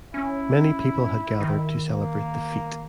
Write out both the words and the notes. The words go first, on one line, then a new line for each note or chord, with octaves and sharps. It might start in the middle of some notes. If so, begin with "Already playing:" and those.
Many people had gathered to celebrate the feat.
C#4 E4
D#3
A#3